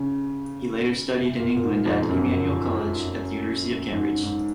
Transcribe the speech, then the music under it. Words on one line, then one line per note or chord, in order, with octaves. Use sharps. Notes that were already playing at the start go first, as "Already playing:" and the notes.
He later studied in England at Emmanuel College at the University of Cambridge.
Already playing: C#3
C3
A#2
A#2
G#2
F2
F2
F#2
G#2
G#2